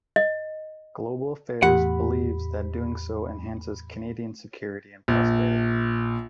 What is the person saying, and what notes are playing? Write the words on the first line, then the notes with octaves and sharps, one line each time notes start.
Global Affairs believes that doing so enhances Canadian security and prosperity.
D#5
E2 A2 G4 F#5 B5
A#1